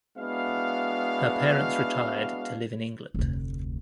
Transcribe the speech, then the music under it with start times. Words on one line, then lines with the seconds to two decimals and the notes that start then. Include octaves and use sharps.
Her parents retired to live in England.
0.18 G#3 B3 D4 E4 F#4 F5
3.14 F1 D2